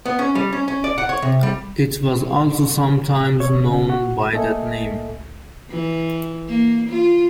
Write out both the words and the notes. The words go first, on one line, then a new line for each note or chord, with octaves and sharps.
It was also sometimes known by that name.
B3
C#4
G3
C#4
C#4
D5
F#5
C#5
C3
G3
C#5
C#3
F#4
A3 A#3 A4 D#5 E5 G#5
E3
A#3
F4